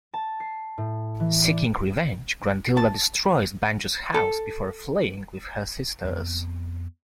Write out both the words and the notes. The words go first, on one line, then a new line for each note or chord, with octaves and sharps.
Seeking revenge, Gruntilda destroys Banjo's house before fleeing with her sisters.
A5
C7
A2
E3
D5
A5
A4
F2 B3